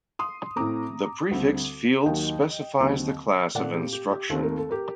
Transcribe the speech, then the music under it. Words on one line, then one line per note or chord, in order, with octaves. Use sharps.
The prefix field specifies the class of instruction.
C6 D#6
A2 A3 C4 A#5 D6
D2 D3 G3 C4
D#2 D#3 F#3 D#5 G5
D#2 D3 F#3 C4
A#2 A3 C4 D5 F#5
G4
G4
G4
D#2 D#3 A3 C4 C5
A#4
A4
G4 A#4